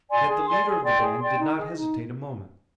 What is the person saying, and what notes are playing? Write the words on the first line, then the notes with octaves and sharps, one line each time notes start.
Yet the leader of the band did not hesitate a moment.
D5 G#5 C6
G#4
D5 G#5 C6
G#4
D5 G5 C6
G#4
D5 G5 C6
D#4
G#4 D#5
D#4